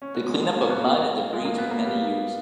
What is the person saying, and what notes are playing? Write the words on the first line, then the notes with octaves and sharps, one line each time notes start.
The cleanup of mud and debris took many years.
C#4
B3
G#3
G#3
A#3
C#4
B3
A#3
G#3
A#3
B3
A#3
G3